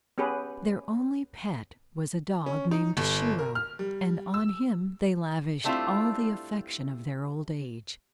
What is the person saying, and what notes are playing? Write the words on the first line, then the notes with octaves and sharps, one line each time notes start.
Their only pet was a dog named Shiro, and on him they lavished all the affection of their old age.
B3 C#4 G4 G#4 B4
C#4
D#4
G1
A#4
F6
G3
E6
G3 A3 C4 D4 E4 F4